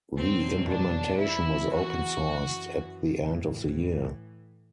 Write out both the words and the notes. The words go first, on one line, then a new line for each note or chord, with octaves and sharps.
The implementation was open-sourced at the end of the year.
E2 B2 F#3 C4
D4
E2 C3 E3 E4
F#4
F#2 E3
A2 E3